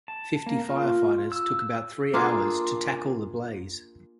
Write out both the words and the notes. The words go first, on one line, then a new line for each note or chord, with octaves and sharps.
Fifty firefighters took about three hours to tackle the blaze.
A5
A#3
F4
E6
A#3 D4 F4 G#4